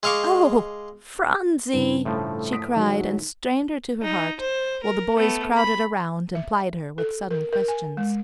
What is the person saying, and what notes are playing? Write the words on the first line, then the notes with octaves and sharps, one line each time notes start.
"Oh, Phronsie!" she cried, and strained her to her heart; while the boys crowded around, and plied her with sudden questions.
G#3 D#5 F5 C#6 D6
G2 C#3 E4
A2 F3 A3
D#6 B6 D7
D#3 F#3
D#4
C5
A#4
A3 B3
B5
E5
A4
A#4
A#4
G#5
G#3